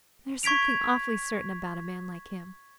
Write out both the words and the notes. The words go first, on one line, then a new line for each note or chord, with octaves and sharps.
There is something awfully certain about a man like him.
C#6 G#6 B6 D7 F7